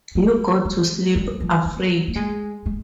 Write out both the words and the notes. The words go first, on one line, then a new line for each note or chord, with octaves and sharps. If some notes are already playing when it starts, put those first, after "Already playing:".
You go to sleep afraid.
A#3
G#3
G3
F3
G3
A#3
G#3
G#3